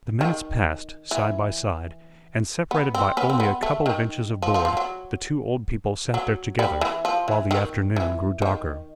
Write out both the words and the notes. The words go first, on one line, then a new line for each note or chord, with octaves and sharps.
The minutes passed; side by side, and separated by only a couple of inches of board, the two old people sat there together, while the afternoon grew darker.
D#3
E3
B3
C4
B3 C#4
C4
B3
A3
D#3
F3
F3
F3
F#3
F#3
G3
E3
F3
E3
D#3
E3
D#3